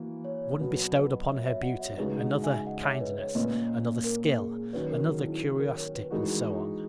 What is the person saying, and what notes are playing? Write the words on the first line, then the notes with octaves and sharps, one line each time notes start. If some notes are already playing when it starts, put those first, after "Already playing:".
One bestowed upon her beauty, another, kindness, another, skill, another, curiosity, and so on.
Already playing: E3 A#3 F#4
C#5
B2 F#3 B3 B4
B4 D#5
C#5 E5
C#5 E5
D#5 F#5
C#5 E5
C#3 G#3 D#4 F#4 B4 D#5
D#5 F#5
E5 G#5
D#5 F#5
C#5 E5
B4 D#5
C#5
A#2 A#3 C#4 B4 D#5
A#4
G#4
D#3 F#3 C#4 B4
A#4
G#4
E4
G#4
A#4
C#5
B4
E3 G#3 D#4 F#4 A#4